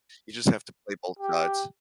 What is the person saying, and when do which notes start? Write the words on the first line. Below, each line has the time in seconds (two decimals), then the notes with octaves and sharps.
you just have to play both sides.
1.19 G4